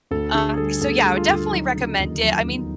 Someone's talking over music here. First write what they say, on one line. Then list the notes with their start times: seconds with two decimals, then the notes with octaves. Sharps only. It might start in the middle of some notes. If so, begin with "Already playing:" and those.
Uh, so yeah, I would definitely recommend it. I mean,
0.11 D2 A4
0.34 D3 G#4
0.58 G3 A4
0.81 D2 A4
1.05 G3
1.17 F4
1.28 D2
1.51 F#3 D#4
1.75 C#3
1.98 D#2
2.22 F#3
2.45 B3